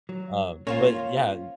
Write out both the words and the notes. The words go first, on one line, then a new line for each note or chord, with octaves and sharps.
um, but yeah
F#3
A#3 C#4 F4 C5 C#5